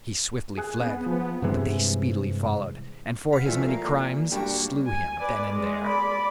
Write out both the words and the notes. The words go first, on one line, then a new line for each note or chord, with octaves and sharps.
He swiftly fled, but they speedily followed, and for his many crimes slew him then and there.
G#4 G#5 F#6
B3
F3
G2 C3 E3 G#3
F5 F#5 B5
A#2 E3 F3 A3
A#3
G2 G3 A#3 D4 F#4
G#5
B4 D5
G#3
D5 B5